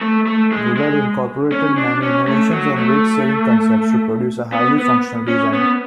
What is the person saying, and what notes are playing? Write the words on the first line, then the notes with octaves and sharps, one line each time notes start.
Bulleid incorporated many innovations and weight-saving concepts to produce a highly functional design.
A3
A3
G#3
G#3
C#4
D4
C#4
A3
F#3
A3
B3
B3
C#4
B3